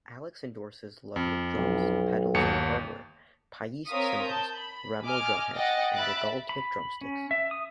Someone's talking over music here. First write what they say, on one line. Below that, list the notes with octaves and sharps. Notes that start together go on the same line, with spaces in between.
Alex endorses Ludwig drums, pedals and hardware, Paiste cymbals, Remo drumheads and Regaltip drumsticks.
F2
B1
G1 D#2 C#7
C4 A#4 C#5 F5 D#6 B6
A5 G6
B5
D#5 G#5 D6 F6
D#5 F#5 G5 A6 A#6
E5 B5 F#6 A6 D7
B5
C#4
E5
D#6